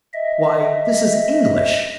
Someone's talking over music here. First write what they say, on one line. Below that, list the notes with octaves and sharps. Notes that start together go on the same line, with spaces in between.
"Why, this is English!"
D#5 E5